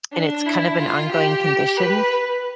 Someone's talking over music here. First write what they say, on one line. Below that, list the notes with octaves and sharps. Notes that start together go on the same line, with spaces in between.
and it's kind of an ongoing condition,
D4
E4
F4
G4
G4
B4